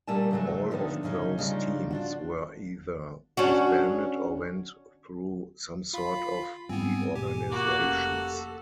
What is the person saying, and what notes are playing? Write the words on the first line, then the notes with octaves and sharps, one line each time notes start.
All of those teams were either disbanded or went through some sort of reorganizations.
A#2 G3 A3 A#4 G#5 A5
C#3 F3 F#3 G#3 A3
D3 D#3 F3 A3 B3
D2 C#3 C#4 D#4
C#3 F3 G3 A3 D4 D#4
D4 F4 F#4
C#4 D4 F#4
F4 F5 B5
G#2 G3 B3 C4 G#5
G#2 B2 G4 G#5
A#3 F#4 D6
F1 C#4 A4